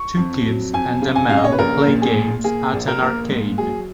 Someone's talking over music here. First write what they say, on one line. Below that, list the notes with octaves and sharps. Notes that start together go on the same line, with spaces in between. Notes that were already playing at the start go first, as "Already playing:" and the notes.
Two kids and a man play games at an arcade.
Already playing: C#6
F2
F#3
F2 G#5
C#3
G#5
C#3 F5
D#5
C#5
B4
A#1 A#4
A#2
G#4
A#2
A#3 G#4
A#1
A#4
A#3
G#2
F#3 G#4